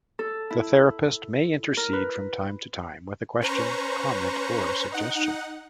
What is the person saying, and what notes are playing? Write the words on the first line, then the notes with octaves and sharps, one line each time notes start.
The therapist may intercede from time to time with a question, comment, or suggestion.
A4
E4
A#4
B4
C#4 B4 C5 A#5 C#6
D#4 F#5